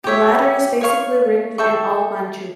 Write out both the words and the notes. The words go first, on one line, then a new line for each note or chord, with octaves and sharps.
The latter is basically written in Old Manchu.
G4 C#5 E5
C#5 F5 C#6
A4 E5 G5 C#6